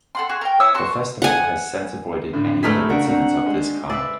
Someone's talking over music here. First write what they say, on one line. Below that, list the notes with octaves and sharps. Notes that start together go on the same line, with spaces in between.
The festival has since avoided any other incidents of this kind.
A4 F#5 C6
F#4 G#4
A#4 G5
E4 C#5 D#6 E6
F#4 A5 C6 C#6
F#5 G#5
A2 D3
G#2 D3 A3 D#4 E4 G#4 F6 B6
C#3 D4 F#4 A#4
C4 D4 F#4 F#5 A#5
G#3
B4 C5 D5 E5